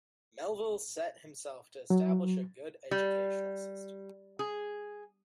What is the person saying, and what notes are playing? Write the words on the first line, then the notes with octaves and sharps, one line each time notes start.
Melville set himself to establish a good educational system.
F#3
G3
G#4